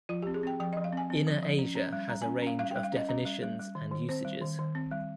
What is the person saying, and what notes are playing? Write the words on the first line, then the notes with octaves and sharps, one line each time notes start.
"Inner Asia" has a range of definitions and usages.
F3 F4
G4
C4
G#4
C4 G5
F3 G5
D#5
F3
F5
C4 G#5
C4
F3
F3
C#4
C#4
G3
G3 A#5
G#5
C#4
C#4 F5
G3 F5
G5
G3
F5
C#4 D#5
C#4 D#5
G3
G3
G3
D#3
D#3
C4 C5
G3
D#3
D#3
C4
G3